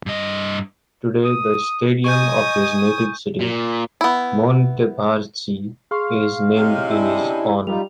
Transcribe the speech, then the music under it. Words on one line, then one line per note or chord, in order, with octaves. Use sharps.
Today the stadium of his native city, Montevarchi, is named in his honour.
G2 D#5
D#6
D#5 G#5 C#6 D#6 G6
A#2
B3 E4
G#4 F5 C6 C#6
A2 C3 D#4
C#4 D4 E4
G3 D#4 F4 F7